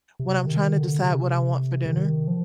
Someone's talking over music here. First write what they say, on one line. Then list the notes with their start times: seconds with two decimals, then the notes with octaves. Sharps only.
when I'm trying to decide what I want for dinner.
0.19 C3
0.47 D#3
0.75 D3
1.03 C3
1.86 D#3
2.28 F3